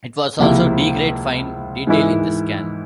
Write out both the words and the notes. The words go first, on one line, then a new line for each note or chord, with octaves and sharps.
It will also degrade fine detail in the scan.
C#2 C3 F3 A#3 E4
G#2 E3 G#3 E4 A#4